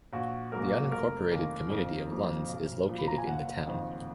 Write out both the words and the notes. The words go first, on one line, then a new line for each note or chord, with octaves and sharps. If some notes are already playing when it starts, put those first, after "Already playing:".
The unincorporated community of Lunds is located in the town.
A#1 F#4
G#2 F#3 A#3 A#4
F1 A#4
D#2 D#3 A#3
F2
F3 A#3
B1
A#2 F3
B5
A#5
G#5
F#1 F#5
F2 D#3